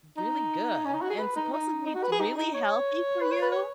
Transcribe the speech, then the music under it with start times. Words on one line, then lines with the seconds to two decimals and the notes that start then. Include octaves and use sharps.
really good and supposedly it's really healthy for you.
0.17 D#4
0.85 C#4
0.93 D#4
1.02 F#4
1.10 G#4
1.19 B4
1.35 D#4
1.53 D#4
1.86 D#4
1.94 F#4
2.03 B4
2.12 G#4
2.20 D#4
2.37 D#4
2.54 C#5
3.21 B4
3.31 C#5
3.42 B4
3.51 C#5